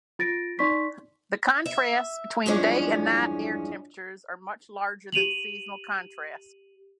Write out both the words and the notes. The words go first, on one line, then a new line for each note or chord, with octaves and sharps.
The contrasts between day and night air temperatures are much larger than seasonal contrasts.
F4 A6 A#6 D7
D#4 D5 C6 C#6 B6
E5
E2 G2 F3 G#3 C#4 D4
G4 D#7 F7 F#7